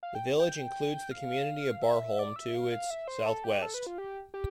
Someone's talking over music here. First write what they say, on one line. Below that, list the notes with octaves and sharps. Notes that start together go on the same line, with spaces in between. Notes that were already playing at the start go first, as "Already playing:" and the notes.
The village includes the community of Barholme to its south-west.
F5
G5
G5
F5
E5
D5
E5
F5
F5
E5
C5
A4
G4
A4
B4
F4
G4
G4